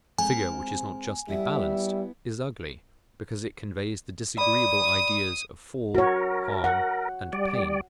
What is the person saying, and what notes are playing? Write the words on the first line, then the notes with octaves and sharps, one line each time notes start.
A figure, which is not justly balanced, is ugly; because it conveys the disagreeable ideas of fall, harm, and pain.
G#3 C4 A#4 G#5
G3 B3 E4 E5
D5 B5 D#6
F#4 A#4 C#5
F#5
G3 D5